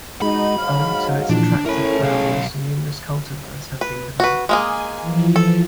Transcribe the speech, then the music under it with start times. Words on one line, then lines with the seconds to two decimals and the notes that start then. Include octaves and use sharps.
Owing to its attractive flowers, numerous cultivars have been developed.
0.22 G#3 D#4 F#4 B5
0.58 G#2 F#3 F5
1.30 A#2 E3 F3 D4
1.66 A2 A3 C#4 E4 A#4 B5
2.02 B1 G#4 F5
3.81 B4
4.20 F#4 B4
4.49 G#3 A#3 G#4 G#5
5.02 E3 F3
5.36 A4